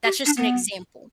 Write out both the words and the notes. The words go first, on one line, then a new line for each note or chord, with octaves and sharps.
That's just an example.
G4
D4
B3